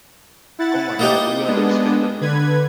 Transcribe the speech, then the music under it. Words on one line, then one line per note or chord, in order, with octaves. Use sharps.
Oh my god. We wound up spending
E4 F#5 A6
A#3 D#4 G4
G#3 B3 D4
D3 B4 G#6